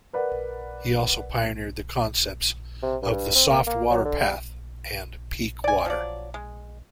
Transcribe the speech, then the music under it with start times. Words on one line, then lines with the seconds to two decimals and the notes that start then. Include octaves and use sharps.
He also pioneered the concepts of the soft water path, and peak water.
0.13 A#4 B4 D5 F#5
2.83 C3
3.02 G2
3.35 C4
3.49 A#3
3.67 A#3
3.90 F#3
4.05 D3
4.22 G3
5.64 D5 G#5
5.86 F3 F#3 D5
6.34 G#3